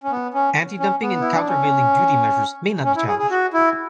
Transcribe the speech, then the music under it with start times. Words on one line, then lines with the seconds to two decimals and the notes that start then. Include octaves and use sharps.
Antidumping and countervailing duty measures may not be challenged.
0.04 C#4
0.11 B3
0.34 C#4
0.79 C#4
1.02 B3
1.21 E4
1.34 D4
1.48 C#4
2.84 C#4
2.96 E4
3.08 G#4
3.19 G#4
3.30 F#4
3.53 E4